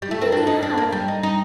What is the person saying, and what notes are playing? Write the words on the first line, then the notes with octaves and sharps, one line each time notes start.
We really have.
G3
A3
C4
D4
D#4
D4
A#3
G3
D#4
D#4